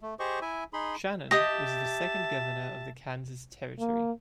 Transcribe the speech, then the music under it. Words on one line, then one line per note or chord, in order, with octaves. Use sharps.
Shannon was the second governor of the Kansas Territory.
A3
G4 G#4 C5 D#5 C#6
E4 E5 G#5
D#4 G#4 B5 C6
G4 D#5 E5 A5 D#6 A#6
A#3